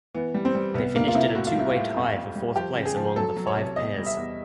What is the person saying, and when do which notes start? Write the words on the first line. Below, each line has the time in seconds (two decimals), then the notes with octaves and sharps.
They finished in a two-way tie for fourth place among the five pairs.
0.15 E3 B3
0.34 G3
0.45 C4
0.55 G3
0.74 C2 B3
0.95 C2 A#3
1.08 F4
1.15 C3 E4
1.35 A2 F#4
1.47 F4
1.55 G3 E4
1.70 F4
1.76 A2
1.96 F2
2.16 F2
2.35 G3
2.56 F3 G4
2.76 C#3
2.85 G#4
2.96 F3
3.16 F#3 A4
3.36 F#3
3.47 C#5
3.56 C2
3.76 E2 D#5
3.97 G3
4.06 E5
4.17 E2